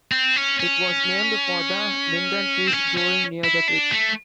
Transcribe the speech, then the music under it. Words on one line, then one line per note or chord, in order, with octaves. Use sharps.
It was named for the linden trees growing near the creek.
C4
C#4
C#4
C4
C#4
C#4
E4
D4
A3